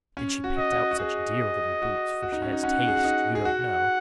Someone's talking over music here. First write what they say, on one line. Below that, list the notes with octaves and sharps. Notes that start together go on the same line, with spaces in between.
And she picked out such dear little boots, for she has taste, you don't know.
C#4
F#4
D#5
F#4
F#4
G#4 D#5
F#4
F#4
D#4
C#4
D#4
C#4 F#5
G#4
F#4
D#4
G#4
F#4 F#5